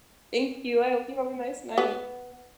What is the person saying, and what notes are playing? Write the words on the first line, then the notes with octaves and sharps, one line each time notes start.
Thank you, I hope you have a nice night.
B3